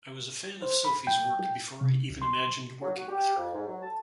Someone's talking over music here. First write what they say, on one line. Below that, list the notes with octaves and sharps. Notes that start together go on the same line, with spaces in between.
I was a fan of Sophie's work before I even imagined working with her.
C5
B5
G5
C3
C#2
C6
F#3
F#4
G4
F2
G#2
F#3
A5